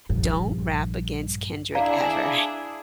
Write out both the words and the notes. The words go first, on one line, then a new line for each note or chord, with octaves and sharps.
Don't Rap Against Kendrick Ever.
A#1 G2
D4 E4 G#4 D5 F5 A#5